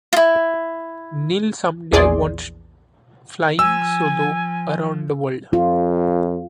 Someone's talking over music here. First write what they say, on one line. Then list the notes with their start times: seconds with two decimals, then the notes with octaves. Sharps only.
Neil some day wants flying solo around the world.
0.13 E4 F4
1.92 A#1 E2 G#4 D5 C6
3.59 F3 G#5 E6
5.53 F2 F4